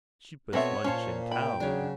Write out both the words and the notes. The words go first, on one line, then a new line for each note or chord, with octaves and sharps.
Cheapest lunch in town.
B2 B3 C4 A4 C#5 E5
A#2 C#4 C5 F5 A5
G5 B5
C#3 F#3 D4 C#5